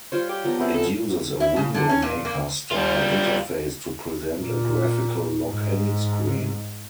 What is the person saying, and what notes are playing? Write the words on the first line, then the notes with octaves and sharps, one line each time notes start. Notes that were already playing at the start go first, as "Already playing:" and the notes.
It uses a Window Maker-style interface to present a graphical login screen.
G3 F4 C5 C#5
G4
F3 B3 A#5
B3 C4 E4 G#4 D5
A4
E4
C#3
D3
C#4
A#2
A#3
G3 F4
A#2
G#2